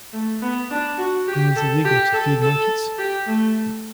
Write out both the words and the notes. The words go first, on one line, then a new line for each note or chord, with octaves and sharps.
It is illegal to feed monkeys.
A3
B3
D4
F#4
G4
A4
G4
A4
A4
G4
A3